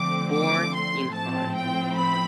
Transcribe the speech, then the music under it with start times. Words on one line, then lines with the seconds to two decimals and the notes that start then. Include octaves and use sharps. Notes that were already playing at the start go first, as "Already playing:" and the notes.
Born in Hann.
Already playing: D3 F3 A3 C4 D6
0.33 D6
0.74 C6
1.14 A2 F3 C4 A5
1.55 G5
1.96 B5